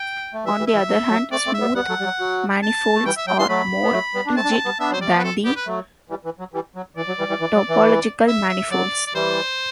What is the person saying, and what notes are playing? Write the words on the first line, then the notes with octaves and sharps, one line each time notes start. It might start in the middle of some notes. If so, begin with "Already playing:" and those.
On the other hand, smooth manifolds are more rigid than the topological manifolds.
Already playing: G5
A3
E3 G3 E5
E3 G3
E5
E3
F#3
F#3
A3 C4 D5
A3 C4
E5
G3 B3
G3 B3 F#5
F#3 A3
G3
F#3
F#3
A5
A3
E3 G3 G5
E5
F#3 G5
E3 G3 C6
F#3 A3 B5
B3
F#3 A3
G3 B3
D4
A3 C4 A5
D4
A3 C4
G3 B3
B3 D4 E5
F#3 C5
G3 D5
A3
B3
B4
A3 C4 A4
G3 B3 G4
B4
F#3 A3
E3 G3
E3
F#3
E3 G3
F#3
E3 D5
F#3
E3 G3
E3 G3
E3
F#3
E3
E5
E5
F#3 D5
D5
E3 G3 C5